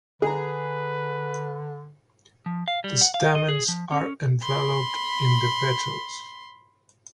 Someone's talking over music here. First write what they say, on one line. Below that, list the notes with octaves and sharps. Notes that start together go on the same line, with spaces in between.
The stamens are enveloped in the petals.
D3 G#4 B4 A#5
F3
F5
G3
F#5
F5
D#5
G#4
F3
C#4
B5 C6